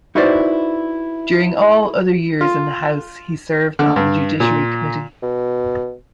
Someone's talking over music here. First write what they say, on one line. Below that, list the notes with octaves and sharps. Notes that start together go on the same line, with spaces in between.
During all other years in the House, he served on the judiciary committee.
D#4 E4 F#4 B4 C5 D5
F4
D3
G2
A#2
B2